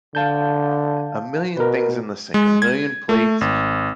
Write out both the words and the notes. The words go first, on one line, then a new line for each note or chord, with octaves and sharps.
a million things in the sink a million plates,
D3 F5 A5 G6
B2 A#4 B4
G#3
G#6
A3
G#1